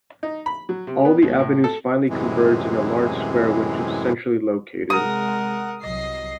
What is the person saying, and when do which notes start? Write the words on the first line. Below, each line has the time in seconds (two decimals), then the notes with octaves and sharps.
All the avenues finally converged in a large square which was centrally located.
0.23 D#4
0.46 B5
0.69 F#3
0.87 C3
1.05 B3
1.22 D#2
1.39 A2
1.64 A4
2.09 F#2 A2 C3 E3 G#3
4.90 C3 G#3 A#4 F#5 D#6
5.81 C2 F#3 D#5 C7